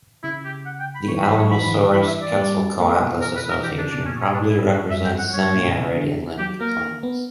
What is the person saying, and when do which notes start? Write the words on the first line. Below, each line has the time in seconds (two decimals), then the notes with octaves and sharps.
The "Alamosaurus"-"Quetzalcoatlus" association probably represents semi-arid inland plains.
0.23 C#3 E4
0.45 G4
0.66 F#5
0.80 G5
0.95 B5
1.08 E3 C#6
1.22 B5
1.30 F#3
1.37 C#6
1.42 F#3
1.51 E3 B5
1.67 E3
1.72 D3
1.93 E3 B5
2.07 E5
2.22 D5
2.31 A#3
2.36 G3
2.79 A#3
3.00 B2
3.22 A#4
3.36 B4
3.50 A#4
3.59 E3 G4
3.71 D3
3.78 D4
3.83 C#3
3.92 B2 D4
4.05 A#2 C#4
4.21 C#4
4.34 D4
4.49 E4
4.70 F#4
4.90 G2 E5
5.05 G5
5.18 F#5
5.33 G2 C#5
5.47 G2
5.55 A#2
5.66 C#3
5.76 B2
5.97 D3
6.39 F#3 G4
6.61 A#3 A#4
7.03 B3